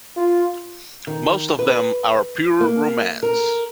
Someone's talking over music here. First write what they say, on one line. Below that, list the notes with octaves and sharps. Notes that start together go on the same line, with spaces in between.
Most of them are pure romance.
F4
D#3
B4
A#3
A#4